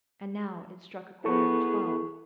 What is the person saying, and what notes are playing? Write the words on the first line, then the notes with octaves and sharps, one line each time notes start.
And now, it struck a quarter to twelve.
B3 E4 G#4 A4 C#6